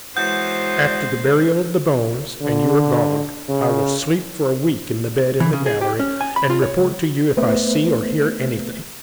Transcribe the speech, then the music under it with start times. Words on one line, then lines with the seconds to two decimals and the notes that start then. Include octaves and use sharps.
After the burial of the bones, and you are gone, I will sleep for a week in the bed in the gallery, and report to you if I see or hear anything.
0.17 E3 F#3 G#3 B3 C5 G6
2.41 D3
3.49 C#3
5.40 E3
5.53 C#3
5.66 G#4
5.81 G4
5.99 C#4
6.21 G#5
6.36 B5
6.50 F4
6.62 C#5
6.78 C#2
7.37 A3 B3 B4 C5 E5